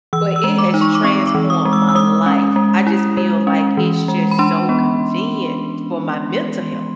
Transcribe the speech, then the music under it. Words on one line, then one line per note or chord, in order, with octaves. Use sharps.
but, it has transformed my life. I just feel like, it's just so convenient for my mental health.
E3 E6
E6
G#3
D6
D#4
C#6
D6
C4 C#6
D6
E3
D#6
G#3
E6
E6
G#3 D#6
C#4
G#3
E4
G#3
C#4
E3
G#3
B5
D4 C6
B3